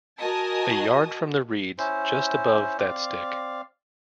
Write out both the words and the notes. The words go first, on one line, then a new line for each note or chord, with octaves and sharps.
A yard from the reeds just above that stick.
F#4 A#4 D#5 G#5 A5 D#6
C#4 E4 C5
C4 D5 F5